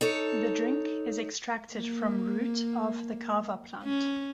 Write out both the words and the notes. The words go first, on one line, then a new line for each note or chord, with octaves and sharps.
The drink is extracted from root of the kava plant.
D#4 A4 C#5
A#3
C#4